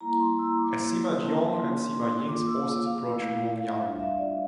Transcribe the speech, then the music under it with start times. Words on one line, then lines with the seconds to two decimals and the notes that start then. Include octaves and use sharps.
As Sima Jiong and Sima Ying's forces approached Luoyang.
0.01 G3 A#3 E4 A#5
0.20 C6
0.39 E6
0.58 D6
0.77 A#3 E4 C6
1.27 A5
1.52 A#3 D4 F4 C6
1.78 C6
2.03 C6
2.28 A#3 F4 D6
2.47 E6
2.66 E6
2.85 F5
3.04 A3 E4
3.69 E5
3.80 G3 D4 F4 F5
3.99 E5
4.18 D5